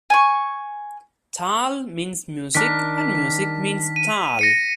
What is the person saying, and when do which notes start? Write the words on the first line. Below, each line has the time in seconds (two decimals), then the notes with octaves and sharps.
"Taal" means music and music means "Taal".
0.10 G#5 C#6
2.55 D#3 D4 A#4 B6
3.96 D#7
4.39 A#6 C#7 D#7